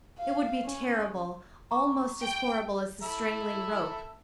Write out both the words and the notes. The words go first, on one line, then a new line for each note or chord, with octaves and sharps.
It would be terrible--almost as horrible as the strangling rope.
F5
C#4
A#5 C#6 D6
G5
A4 E5 B5